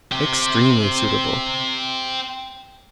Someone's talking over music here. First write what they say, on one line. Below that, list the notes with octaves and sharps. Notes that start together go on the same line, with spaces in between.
Extremely suitable.
C4 G4